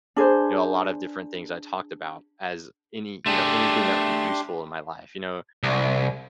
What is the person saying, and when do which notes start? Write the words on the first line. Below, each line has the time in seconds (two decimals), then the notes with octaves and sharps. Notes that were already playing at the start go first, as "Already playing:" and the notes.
you know, a lot of different things I talked about as any, you know, anything that would be useful in my life, you know?
0.16 D4 G#4 B4 C5
3.26 A3 D4 G4 G#4 C6
5.63 C2